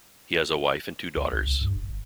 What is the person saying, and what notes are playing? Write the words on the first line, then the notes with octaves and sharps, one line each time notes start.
He has a wife and two daughters.
D2
C#2
C2
G2
F1
G1